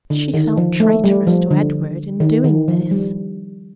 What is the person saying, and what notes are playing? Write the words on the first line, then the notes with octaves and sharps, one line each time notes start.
She felt traitorous to Edward in doing this.
D3
D#3
F3
A3
G3
F3
D3
D#3
D#3
F3
G3